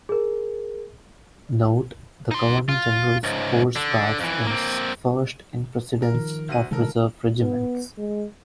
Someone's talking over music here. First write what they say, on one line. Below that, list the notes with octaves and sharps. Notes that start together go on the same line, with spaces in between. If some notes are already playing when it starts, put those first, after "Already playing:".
"Note:" The Governor General's Horse Guards is first in precedence of Reserve regiments.
G#4 A#4
D#4 C6
F4
C#2 G#2
D3
F2 E3
A#3 C4
A#4
D#3 F3
D2 F#4 D#7
C3 D#3 G#3 A4 A#4
B3
G#3